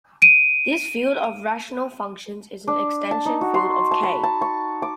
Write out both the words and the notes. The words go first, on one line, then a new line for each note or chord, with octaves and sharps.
This field of rational functions is an extension field of "K".
D7 D#7
D4
A5
D#4
F#4
C6
A5
B5
A5
C#6
D6